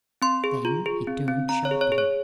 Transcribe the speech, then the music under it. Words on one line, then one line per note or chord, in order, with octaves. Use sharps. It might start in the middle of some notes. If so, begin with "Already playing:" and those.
Then he turned sharply.
C4 C6
G#4
F4
G#4
C4
C4
C4 A#5
C#5
G#4
C#5
G#4
C#5